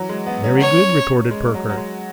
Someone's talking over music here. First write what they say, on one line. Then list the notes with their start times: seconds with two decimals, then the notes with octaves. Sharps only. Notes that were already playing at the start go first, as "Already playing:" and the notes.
'Very good,' retorted Perker.
Already playing: E3 F#3
0.09 G#3
0.26 B3
0.44 C#4
0.57 B3
0.61 C#4 C#5
1.31 G#3
1.54 F#3
1.69 F#3
1.77 G#3